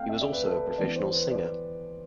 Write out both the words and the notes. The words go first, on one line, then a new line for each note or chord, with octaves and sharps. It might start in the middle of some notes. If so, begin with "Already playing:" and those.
He was also a professional singer.
Already playing: A3 C4 F5 G5
E5
D5
B4
A4
B4
A4
E3 B3 D5
C5
B4
D5